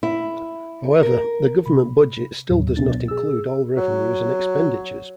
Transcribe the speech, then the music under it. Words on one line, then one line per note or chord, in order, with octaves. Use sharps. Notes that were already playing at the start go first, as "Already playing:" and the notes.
However, the government budget still does not include all revenues and expenditures.
E4
A#4
C3 B5
D#2 A2 F#3
C#2 B2 B3 D4 A6
G#4 E6
F#3